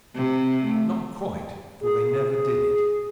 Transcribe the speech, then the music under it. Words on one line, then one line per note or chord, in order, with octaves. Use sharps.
But not quite, for they never did it.
C3
A3
G#4